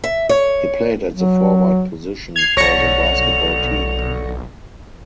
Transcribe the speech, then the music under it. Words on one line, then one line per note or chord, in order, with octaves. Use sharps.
He played at the forward position for the basketball team.
E5
C#5
F#3
G#6 C7 F7
B1 D3 C#5 C#6 A#6 C#7